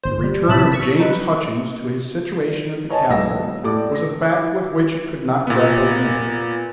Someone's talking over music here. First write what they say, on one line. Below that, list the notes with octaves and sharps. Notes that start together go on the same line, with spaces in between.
The return of James Hutchings to his situation at the Castle was a fact with which it could not grapple easily.
G1 C5
G3
A1 C3 E4 A5 B5
C#6 E6 B6
D#4 B4
B4 C#5 D#5 G#5 A5
B1 G#3 D#5 E6 A#6
E1
A2 D5 D6
A#6
E4 D6
A#2 B3